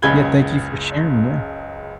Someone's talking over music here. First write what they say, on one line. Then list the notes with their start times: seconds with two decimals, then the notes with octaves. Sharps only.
Yeah, thank you for sharing, yeah.
0.02 F#1 C#2 G#4 B5 G#6 G7